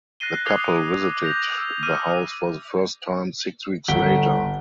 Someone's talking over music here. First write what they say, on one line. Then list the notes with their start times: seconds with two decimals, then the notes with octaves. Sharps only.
The couple visited the house for the first time six weeks later.
0.20 F#6 A6 A#6 C7 D#7 G7
0.45 D6 D#6 G#6 C7 F7 G7
1.05 D6
1.22 G6 A#6 F7
1.58 E6
1.83 D6 D#6 F6 D#7
3.88 G1 F#5 B6 D7 G7